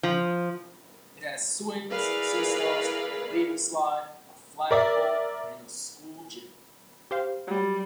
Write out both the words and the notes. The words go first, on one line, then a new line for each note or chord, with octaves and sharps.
It has swings, seesaws, a wavy slide, a flagpole, and a school gym.
F3
E4 G#4 A#4 B4 D5 F5
A#4 D5 E5
G4 C5 F5
F#3 G3